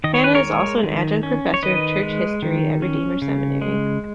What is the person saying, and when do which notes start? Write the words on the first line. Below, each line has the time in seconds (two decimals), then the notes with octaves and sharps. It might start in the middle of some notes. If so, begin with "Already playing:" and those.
Hannah is also an adjunct professor of Church History at Redeemer Seminary.
0.04 D#3 D#5
0.14 C#5
0.24 B4
0.35 A#4 C#5
0.44 G#3
0.83 D#3
1.23 C#4
1.54 C#5
1.63 D#3 B4 D#5
2.03 G#3
2.42 D#3
2.82 C#4
3.22 C#3
3.62 G#3